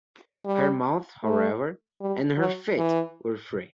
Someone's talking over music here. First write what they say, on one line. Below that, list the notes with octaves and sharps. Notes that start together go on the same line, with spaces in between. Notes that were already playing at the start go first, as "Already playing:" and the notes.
Her mouth, however, and her feet were free.
G3
A3
G3
F#3
E3